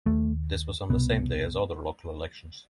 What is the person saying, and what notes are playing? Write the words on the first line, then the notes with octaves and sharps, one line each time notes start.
This was on the same day as other local elections.
D#2 A3
C2 B2 B3